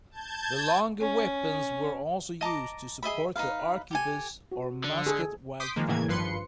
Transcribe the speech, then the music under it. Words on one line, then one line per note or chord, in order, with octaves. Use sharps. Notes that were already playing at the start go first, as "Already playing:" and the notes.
The longer weapons were also used to support the arquebus or musket while firing.
A5 G6 G#6
C#4
D#5 A5 A#5 D6
G#4 D#5 E5 B5
D#4 F4 B4 F5
G4 A4 G#5
F#4
D3
G#4 A4
C6 D6 D#6 G6 B6 C7
D#3 F3 G#3 A#3
A2 C#3 E3 A#3 G#6
G#1 G2 F3 B4 C6 C#7